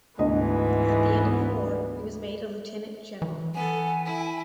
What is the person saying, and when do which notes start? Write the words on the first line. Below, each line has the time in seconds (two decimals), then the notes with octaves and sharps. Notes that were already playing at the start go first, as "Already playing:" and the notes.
At the end of the war he was made a Lieutenant-general.
0.19 D2 G#2 E3 G#3 B3 D#5
3.22 E3
3.54 B3 A4 G#5
4.05 E4